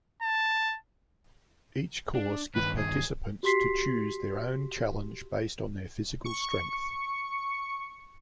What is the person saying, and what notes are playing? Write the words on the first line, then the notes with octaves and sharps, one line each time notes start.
Each course give participants to choose their own challenge based on their physical strength.
A5
D4
G2 D#3 B4
G#4
F#4 G4 C6 B6 C7
C#6 C#7